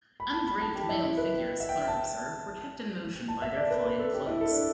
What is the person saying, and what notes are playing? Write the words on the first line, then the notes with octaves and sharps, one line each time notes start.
Undraped male figures, Clark observed, were kept in motion by their flying cloaks.
B5
A5
B5
A5
G4
E4
E4
B4
E5
G5
A5
A5
E5
D5
B4
B4
A4
G4
E4
A4
D4